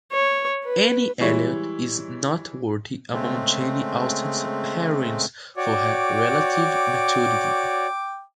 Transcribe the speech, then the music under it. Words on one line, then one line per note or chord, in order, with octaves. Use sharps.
Anne Elliot is noteworthy among Jane Austen's heroines for her relative maturity.
C#5
B4
E3 G3 G#3 E4 C#5
C#3 G#3 A3 C4
F#4 C#5 D5 G5 D6